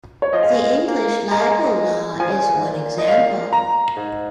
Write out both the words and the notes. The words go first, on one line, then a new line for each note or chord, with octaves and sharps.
The English libel law is one example.
C#5
F3 D#5
G#3 F5
A#3
G#3 A#5
A#3
G#3
F3 G#5
C#3
A#2
G#2
A#2
D#5
F5
A#5
G#2